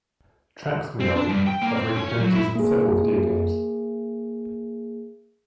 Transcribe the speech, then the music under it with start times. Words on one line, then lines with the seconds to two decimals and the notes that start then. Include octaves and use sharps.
Tracks from the album have made appearances in several video games.
1.01 C4
1.16 D4
1.29 G2
1.47 G5
1.62 A#3
1.76 C4
1.95 C#5
2.08 C#4
2.20 F#3
2.32 E4
2.55 A#3 G#4